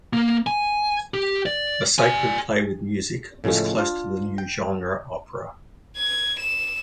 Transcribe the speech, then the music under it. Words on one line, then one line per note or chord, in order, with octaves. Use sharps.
A sacred play with music was close to the new genre opera.
A#3
G#5
G4
D5
D5 G#5
A2 C#3 F3 G#3 A3
D4 F4
G5
G#6
E7